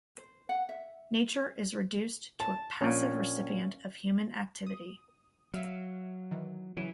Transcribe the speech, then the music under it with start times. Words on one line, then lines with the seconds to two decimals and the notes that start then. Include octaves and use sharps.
Nature is reduced to a passive recipient of human activity.
0.18 C5
0.49 F#5
0.69 E5
2.40 A5
2.81 A#1 A#2 C#4
4.67 D#6
5.54 F#3 E5 F5
6.31 D#3 E3
6.77 C#3 E3 F#3